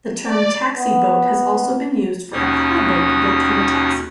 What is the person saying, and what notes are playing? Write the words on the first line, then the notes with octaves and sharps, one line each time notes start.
The term taxi-boat has also been used for a car-boat built from a taxi.
D5
B3
D#2 B2 C#4 D#4 D#6